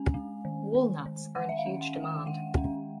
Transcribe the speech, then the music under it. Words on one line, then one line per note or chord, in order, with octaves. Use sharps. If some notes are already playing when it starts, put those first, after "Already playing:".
Walnuts are in huge demand.
Already playing: G#3 C#4 G#5
G#3
D#3
D#3
D#3
D#3 F#5
E5
F5
C#4
F#5
D#3
G5
G#3 F#5
C#4